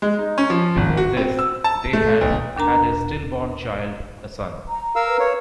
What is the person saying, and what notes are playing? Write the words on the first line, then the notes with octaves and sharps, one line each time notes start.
Before this, they had had a stillborn child, a son.
G#3
D#4
C#4
F3
G#1
F#4
C4
E6
A5
A3
B1
D#2 D4 A#4 A#5
A#5
A#4 F5 E6
B4
C#5